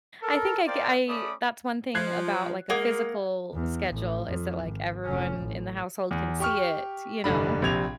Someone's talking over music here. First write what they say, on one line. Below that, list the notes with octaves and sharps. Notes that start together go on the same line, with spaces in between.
I think I c I, that's one thing about, like, a physical schedule, is that, like, everyone in the household can see it, you know?
A4 A#4
A#4 C5 D5 D#5 F5 G5
A3 C#4 D5 B5 D6 D#6
F3 F#6 G#6 C7
G#3 A#3 F#5 D#6 G#6
E2
A1
F2
G#1
F1 C#4
A1
E2
G4 C#6 F6
F1 G2 D3 B5
A#1 C3 G#6 F7